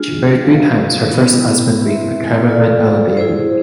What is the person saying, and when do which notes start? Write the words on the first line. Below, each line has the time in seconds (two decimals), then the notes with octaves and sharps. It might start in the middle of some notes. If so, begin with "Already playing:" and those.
She married three times, her first husband being the cameraman Allen Davey.
Already playing: G#3 D4 F4 G#4
0.43 F4 B4 F5
1.12 B3 E4 B4
1.80 C4 E4 B4 E5
2.48 F4 A4 D5 F5
3.17 E4 G#4 C5